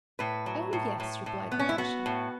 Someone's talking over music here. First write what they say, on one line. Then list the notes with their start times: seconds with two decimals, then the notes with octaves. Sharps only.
"Oh, yes," replied Natasha.
0.19 A2 B4
0.46 F#3
0.73 A2
1.00 A2
1.26 A2
1.52 B3
1.59 C#4
1.69 E4
1.78 B3 F#4
2.06 A2